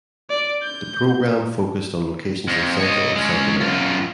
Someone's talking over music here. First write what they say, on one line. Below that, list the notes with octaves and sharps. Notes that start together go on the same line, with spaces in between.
The program focused on locations in Central and South America.
D5
G6
F2
C#5 D#5
G#3 C#4
F#2 F4